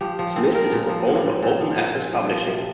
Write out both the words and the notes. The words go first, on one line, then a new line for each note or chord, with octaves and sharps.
Smith is a proponent of open access publishing.
F3 G4
F3
A#2 C4
F3 A#4
A#2
F3
F3
A#2
A#2
F3
A#2
A#2
F3
F3
C3